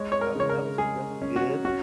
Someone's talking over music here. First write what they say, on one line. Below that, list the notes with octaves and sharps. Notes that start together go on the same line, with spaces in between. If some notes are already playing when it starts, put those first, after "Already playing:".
so that wa that was that was good,
Already playing: G#3 C#5
C#5
A#4
C#3 C#5
A#4
G#3 G#4
C#4
F#4
C#4 F#4